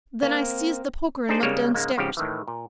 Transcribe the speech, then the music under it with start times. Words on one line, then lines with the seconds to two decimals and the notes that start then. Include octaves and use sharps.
Then I seized the poker and went downstairs.
0.22 A#3 C4
1.29 D4 D#4 G#4 C5
1.43 C#3 G3 G#3 A#3 C#5
1.74 G#2 C#3 G#3 A#3
1.98 G#2 C#3 F3 G4
2.17 A2 D#3 E3
2.48 A#2